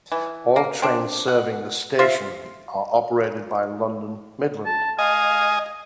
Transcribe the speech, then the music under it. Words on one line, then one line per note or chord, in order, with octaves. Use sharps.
All trains serving the station are operated by London Midland.
E3
A#3
C4 D4
F#5
F4 C5 E5
A5
D#5 F5 G#5